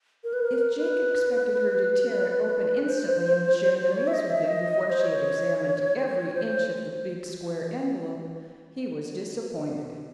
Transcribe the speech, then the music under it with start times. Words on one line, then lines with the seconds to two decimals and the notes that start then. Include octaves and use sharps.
If Jake expected her to tear it open instantly and share the news with him before she had examined every inch of the big square envelope, he was disappointed.
0.24 A#4
0.33 B4
0.43 A#4
0.77 B4
2.89 C5
3.92 D5
3.95 C#5
4.07 E5
4.13 D#5
4.30 E5
4.48 D#5
4.90 C5
5.01 C#5
6.07 C#5
6.34 C5